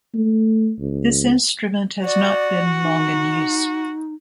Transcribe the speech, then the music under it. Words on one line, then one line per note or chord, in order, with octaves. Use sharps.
This instrument has not been long in use.
A3
C#2
F#4 D5
D#4